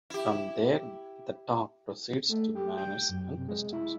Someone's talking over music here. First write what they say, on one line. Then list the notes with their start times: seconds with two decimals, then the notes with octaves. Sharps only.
From there, the talk proceeds to manners and customs.
0.10 E4 G4
2.29 A3
2.55 G4
2.78 G5
3.09 F#2
3.36 C3
3.49 G#3
3.73 E4